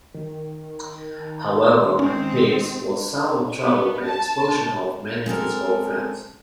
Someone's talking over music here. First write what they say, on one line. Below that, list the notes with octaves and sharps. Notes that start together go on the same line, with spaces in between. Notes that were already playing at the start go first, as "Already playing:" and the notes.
However, Higgs was somewhat troubled by the expulsion of many of his old friends.
D#3
G#3 C4 C#4
B3
A5
G#3 C4 A4 A#4